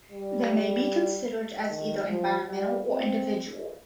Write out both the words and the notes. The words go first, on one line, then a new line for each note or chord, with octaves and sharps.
They may be considered as either environmental or individual.
G3
D#3
F3
G3
C4